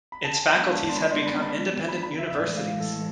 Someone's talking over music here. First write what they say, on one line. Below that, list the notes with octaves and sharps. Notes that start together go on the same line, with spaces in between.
Its faculties had become independent universities.
B5
A5
G#5
G#3 B3 D4 F5
A5
C6
B5
C6
B5
B5
B5
B5
E5
E5
A2 E3 G#3 D5
F5
A4